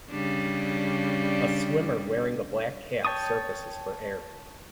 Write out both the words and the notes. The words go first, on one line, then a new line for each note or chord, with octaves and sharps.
A swimmer wearing a black cap surfaces for air.
C#3 G3 D4
C#5 G5 A5 C#6 D#6